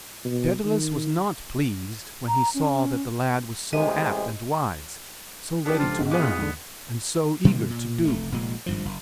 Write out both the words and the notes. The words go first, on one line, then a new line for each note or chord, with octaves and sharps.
Daedalus was not pleased when he saw that the lad was so apt and wise, so ready to learn, and so eager to do.
B2
D#3
A#5
C#4
A1 C3 G#3 D#5
G3 B3 D4 G4 A4
C#2 F3 F4 C5
B1 G#2
F2 B3 G#4 D6
F4
G#2 D3
B2 D#3 G3 A#3
A#2
F1 A3
F1 A#2 G#3
G#1 G2 F3
F#1